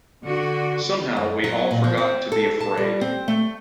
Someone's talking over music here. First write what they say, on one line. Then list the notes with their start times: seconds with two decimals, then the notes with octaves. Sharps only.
Somehow we all forgot to be afraid.
0.24 D3 F#4
1.16 F#2
1.44 F#3
1.71 A#2
1.84 F3
1.97 C4
2.32 A4
2.60 A5
2.77 G3
3.01 C4
3.28 A3